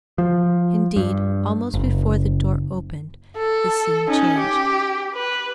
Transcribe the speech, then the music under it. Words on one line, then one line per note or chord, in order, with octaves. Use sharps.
Indeed, almost before the door opened, the scene changed.
F3
G2
F#1
A4
C#4 D#4
G4
B4